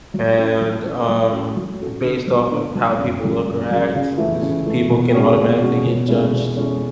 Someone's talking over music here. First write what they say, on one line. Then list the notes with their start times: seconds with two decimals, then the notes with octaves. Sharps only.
and, um, m based off of how people look or act, it's just, people can automatically get judged
0.14 F#3
0.37 C#4 E4 A4
0.61 F#3
0.84 C#4 E4 A4
1.09 F#3
1.32 C#4 F#4 A4
1.56 F#3
1.80 C#4 F#4 A4
2.04 D3
2.27 F#3 B3
2.51 D3
2.75 F#3 B3
2.98 F#2
3.23 C#3 F#3
3.47 F#2
3.70 C#3 F#3
3.94 C#3
4.17 E3 A3
4.42 C#3
4.66 E3 A3
4.90 B2
5.13 G#3 C#4 F#4
5.37 B2
5.60 G#3 C#4 F#4
5.85 B2
6.08 G#3 C#4 E4 A4
6.33 B2
6.56 G#3 C#4 E4 A4